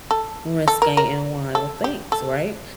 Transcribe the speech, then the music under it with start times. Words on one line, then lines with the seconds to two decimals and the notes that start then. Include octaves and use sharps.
risque and wild things, right?
0.11 A4
0.68 A4
0.82 A#4
0.97 A#4
1.55 A4
1.84 G4
2.12 A4